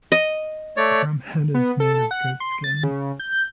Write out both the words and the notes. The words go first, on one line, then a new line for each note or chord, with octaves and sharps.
The drumhead is made of goat skin.
D#5
A3 C#5 D5
B3
A4
A4
F#5
C6
A6
C#3
G6